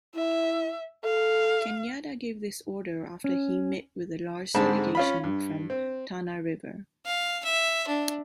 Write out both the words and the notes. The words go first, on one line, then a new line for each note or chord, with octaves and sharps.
Kenyatta gave this order after he met with a large delegation from Tana River.
E4 E5
A4 F5
C#4
G#2 D3 G#3 C4 A5 B5
C#4 F4 B5
G2
C4
F5
E5
D4